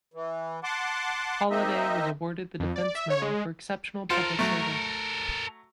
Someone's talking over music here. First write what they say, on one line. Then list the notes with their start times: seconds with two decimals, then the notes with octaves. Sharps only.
Holliday was awarded the Defense Medal for Exceptional Public Service.
0.14 E3
0.64 F#5 A5 C6 D6
1.50 A#3 C4 D#4 D#5 E5
2.60 F2
2.76 D5
2.95 E5
3.10 C#5
3.22 G#3
4.10 F4 A4 A#4 C5 F5
4.39 F#3 A3